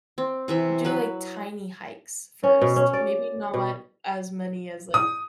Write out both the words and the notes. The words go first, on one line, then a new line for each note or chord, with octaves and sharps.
do like tiny hikes first. Maybe not as many as like,
C4
C3 E3 E5
F#3 B4
C#4
B2
C#4
D5
B2
D#6